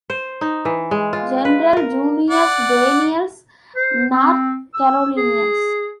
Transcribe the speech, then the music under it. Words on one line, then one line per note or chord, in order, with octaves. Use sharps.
General Junius Daniel's North Carolinians.
C5
D#4
E3
G#3
F4
B4
A#4
D5 F#5
C5
C4
E6
G#4